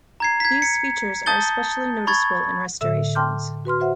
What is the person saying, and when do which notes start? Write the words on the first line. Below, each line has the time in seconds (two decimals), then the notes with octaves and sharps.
These features are especially noticeable in restorations.
0.20 A#5 G#6 C7
0.40 G#6 B6
0.62 C#7
1.26 A5 D#6 G6 A6 G7
2.07 B5 C#6 G#6 A6
2.81 A2 D3 A4 E5 E6
3.15 G5 A5 C6 D6 F6 G6
3.65 F#4 B4 C6 F6
3.80 F#4 C5 E5 F#5